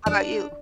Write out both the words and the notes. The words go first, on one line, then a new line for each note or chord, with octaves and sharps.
How 'bout you?
D4